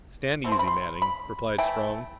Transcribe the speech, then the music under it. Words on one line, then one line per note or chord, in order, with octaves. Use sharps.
"Stand easy, Manning," replied Strong.
B2 A3 C4 E4
C6
B5
C6
B5
E3 A3 E4 G5